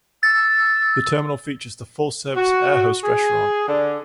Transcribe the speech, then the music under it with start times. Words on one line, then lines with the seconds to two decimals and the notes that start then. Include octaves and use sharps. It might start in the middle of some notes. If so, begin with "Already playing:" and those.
The terminal features the full-service Air Host Restaurant.
0.23 E6 A6
2.35 F#4
3.03 G#4
3.68 D3